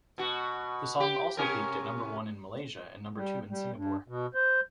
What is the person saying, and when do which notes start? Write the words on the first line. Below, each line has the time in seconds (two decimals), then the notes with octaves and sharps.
The song also peaked at number one in Malaysia and number two in Singapore.
0.18 B2 F#4
1.00 G4
1.37 C3 C#4 A#4
3.16 G3
3.50 G3
3.75 G2
4.08 B2
4.34 C5